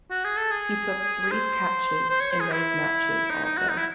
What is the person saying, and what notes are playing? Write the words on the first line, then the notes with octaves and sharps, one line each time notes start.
He took three catches in those matches also.
F#4
G#4
A4
G#4
C5
C5
C#5
C5
G#4
E4
D#4
D#4
F#4
D#4
E4